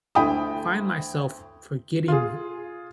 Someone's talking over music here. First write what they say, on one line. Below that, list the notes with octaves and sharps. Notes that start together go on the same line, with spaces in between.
find myself forgetting v
D2 E4 G5 B5 D#6
F4 G#4